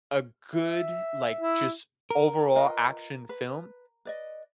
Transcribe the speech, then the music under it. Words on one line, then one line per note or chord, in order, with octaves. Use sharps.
a good, like, just overall action film.
E5
E4
A#4
F4 B4 D#5
B4
B4 D5 D#5